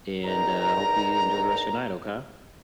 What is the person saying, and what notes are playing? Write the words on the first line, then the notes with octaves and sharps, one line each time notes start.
and, uh, hopefully you enjoy the rest of your night, okay?
E2 D#3 A#5